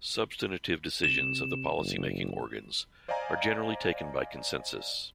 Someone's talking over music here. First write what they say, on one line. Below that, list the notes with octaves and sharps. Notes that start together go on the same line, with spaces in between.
Substantive decisions of the policy-making organs are generally taken by consensus.
C3 E7
F#1
C5 D5 D#5 F5 G#5 A#5